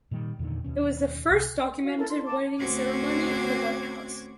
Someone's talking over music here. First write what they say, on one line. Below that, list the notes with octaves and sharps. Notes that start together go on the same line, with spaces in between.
It was the first documented wedding ceremony in the White House.
A#2 D#3 G3
E2 A#2 D3 D#3
D#2 B2 C#4
C2
F#4 F5
E4 A4 A#4
C6
A5 D6
D2 C4 C#4 F#4 D6 G#6